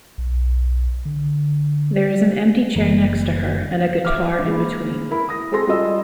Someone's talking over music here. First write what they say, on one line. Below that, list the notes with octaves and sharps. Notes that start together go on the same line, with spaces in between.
There is an empty chair next to her and a guitar in between.
B1
D3
F#1 E3 A#3
E5 D6 F6
G#3 A#3 E4
E4 A#4 B5
D#6 A#6
G#3 C4 G#4 A4 C6 A#6
G3 F4 G#4 D#5 E6